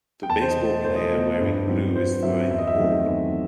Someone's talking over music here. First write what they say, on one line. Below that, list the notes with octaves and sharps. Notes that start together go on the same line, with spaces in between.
The baseball player wearing blue is throwing the ball.
G5
E2 A5
C5
D#5
B2 A3
C5
E2 C5
D#5
C5
B2 A3
G2
F#3 C4
G2 C5
F#3 C4 E5
E2 E5
D#5
E5
D#3 F#3 A3 C4
E2